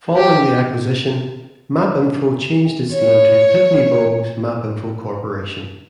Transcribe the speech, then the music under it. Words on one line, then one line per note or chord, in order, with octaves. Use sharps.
Following the acquisition, MapInfo changed its name to Pitney Bowes MapInfo Corporation.
G4
C#5